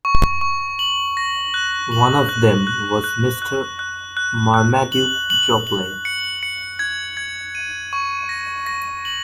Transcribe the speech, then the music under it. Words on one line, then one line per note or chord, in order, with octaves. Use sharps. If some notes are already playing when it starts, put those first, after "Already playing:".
One of them was Mr Marmaduke Jopley.
C#6
C#6
F#7
A#6
F#6
F#7
F#6
F#6
F#6
F#6
F#6
F#6
F#6
F#7
F#7
F#7
C#7
C#7
G#6
G#6
D#7
C#6
A#6
A#6
F#7